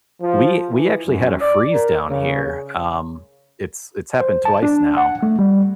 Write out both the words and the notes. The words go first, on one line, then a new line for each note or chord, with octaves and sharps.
we we actually had a freeze down here. Um, it's it's happened twice now,
F3
E3
F#2
D5
A#4
C#3
C5
A5
D4
F#5
A3
G3